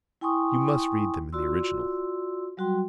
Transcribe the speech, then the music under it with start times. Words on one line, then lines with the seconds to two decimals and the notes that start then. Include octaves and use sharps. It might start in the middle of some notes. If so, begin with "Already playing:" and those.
You must read them in the original.
0.21 E4 G5 G#5 C6 C#6 D#6
1.32 F4 F#4 D5 C6 E6
2.57 F#3 G3 F#4 G5 C6